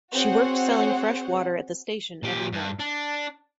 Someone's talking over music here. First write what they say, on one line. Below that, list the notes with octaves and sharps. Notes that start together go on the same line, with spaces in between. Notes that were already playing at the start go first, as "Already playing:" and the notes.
She worked selling fresh water at the station every night.
C4 F#4 G#4 C5 C#5 F#5
A#2 G4
G2
D4